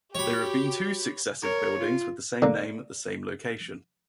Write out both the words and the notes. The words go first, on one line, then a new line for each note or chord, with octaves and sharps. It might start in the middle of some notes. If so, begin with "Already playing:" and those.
There have been two successive buildings with the same name at the same location.
F#4 G4 C#5 B5
A#4 C#5
F4
D3 A#3